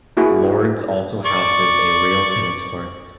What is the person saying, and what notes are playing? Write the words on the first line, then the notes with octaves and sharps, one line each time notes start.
Lord's also houses a real tennis court.
A#3 E4 F#4 G#4
D5 C#6